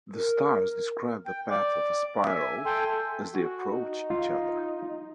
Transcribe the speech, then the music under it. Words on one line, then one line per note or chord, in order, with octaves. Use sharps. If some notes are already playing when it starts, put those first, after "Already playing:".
The stars describe the path of a spiral as they approach each other.
A#4
G5
D5 D6
E5 G#5
A4 G5 G#5 C6
F#4
D#4
F4